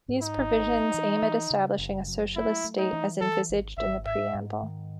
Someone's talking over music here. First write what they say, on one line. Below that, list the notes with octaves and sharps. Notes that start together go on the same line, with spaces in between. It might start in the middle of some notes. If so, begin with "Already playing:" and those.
These provisions aim at establishing a socialist state as envisaged in the Preamble.
G#2
D#4
G#1
B3
E3
E3
C#3
F#1
F#3
A3 E4
A3
D#4
E3
E3 A4
G#1
G#1 E5
G#2 E5
G#2
D#3